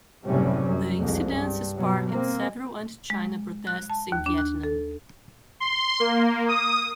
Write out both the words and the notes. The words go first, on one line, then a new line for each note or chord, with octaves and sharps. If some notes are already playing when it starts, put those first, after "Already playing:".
The incidence sparked several anti-China protests in Vietnam.
F#1 A2 C3 G3 C#4
F#2
C2 F2 G#3
G2
B2 F#3
A#3 C4
G#3
F#6
A5
D#2
D4
F#6
A4
C6
A#3
D#6